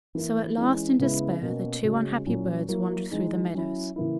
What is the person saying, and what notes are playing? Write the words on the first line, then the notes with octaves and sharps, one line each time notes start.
So at last, in despair, the two unhappy birds wandered through the meadows.
E3 A#3 E4
E3 G#3 C#4
C#3 G#3 B3 E4
B2 A#3 C#4 F#4
C#3 G#3 C#4 F#4
A#2 F#3 C#4 E4
F#3 A#3 E4
E3 G#3 D#4
F#3 C#4 E4
C#3 E3 A#3 E4